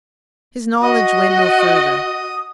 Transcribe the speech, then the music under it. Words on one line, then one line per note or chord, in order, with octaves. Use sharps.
His knowledge went no further.
F#4 D#5 D#6